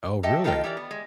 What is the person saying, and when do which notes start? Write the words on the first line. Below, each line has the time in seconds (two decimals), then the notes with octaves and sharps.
Oh, really?
0.23 G4 A4 D#5 E5 G5 A5
0.44 D#3 A3 F4 A4 D#5 G5
0.64 E3 G4 A#4 D5
0.77 B3
0.91 G#3